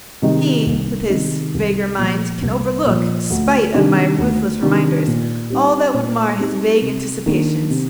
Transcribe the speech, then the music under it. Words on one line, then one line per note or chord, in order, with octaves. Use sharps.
He, with his vaguer mind, can overlook--spite of my ruthless reminders--all that would mar his vague anticipations.
C3 D#3 G#3 D#4
C2
C3 D#3 G#3 D#4
C2
A#2 F3
C2
A#2 F3
D2
C3 D#3 G3 D4
D2
C3 D#3 G3 D4
A#2
G3 C4 D#4
A#2
G3 C4 D#4
C3
D#3 A#3 D4
C3